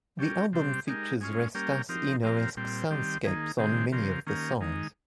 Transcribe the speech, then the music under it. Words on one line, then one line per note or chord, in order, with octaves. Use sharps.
The album features Restas' Enoesque soundscapes on many of the songs.
G3 C#4 G4 A#4
C3 G3 C4 G4
G#3 D#4 G4 A#4
G#3 C#4 F4
G3 A#3 C#4 G4 A#4
F3 C4 D#4 G4 A#4
A#2 F3 C4 G4 A#4
A#2 G3 C4
D#3 G3 C4 G4
D#3 A#3 D#4 G#4
C3 D#3 G#3 C4 G4
C#3 F3 C4 G4 A#4
D#3 A#3 C#4 G4 A#4
D#3 G#3 D#4